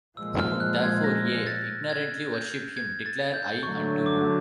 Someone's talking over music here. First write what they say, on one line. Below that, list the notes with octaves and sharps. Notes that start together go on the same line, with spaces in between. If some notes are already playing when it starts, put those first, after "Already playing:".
Whom therefore ye ignorantly worship, him declare I unto you.
A#2 F3 G#3 E6
F6
F#6
G#6
A#6
A6
G#6
G6
G#6
A6
G6
D3 F#3 A3 C#6
D6